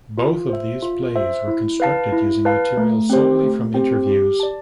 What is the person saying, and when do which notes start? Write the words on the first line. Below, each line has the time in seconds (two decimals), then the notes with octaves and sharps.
Both of these plays were constructed using material solely from interviews.
0.18 F4
0.49 C5 E5
0.82 F4
1.16 C5 E5
1.48 E4
1.80 B4 F5 A5
2.12 E4
2.45 B4 F5 A5
2.77 A3
3.10 C4 G4 C5 G5
3.43 A3
3.74 C4 G4 C5 G5
4.07 G4
4.40 D5 A5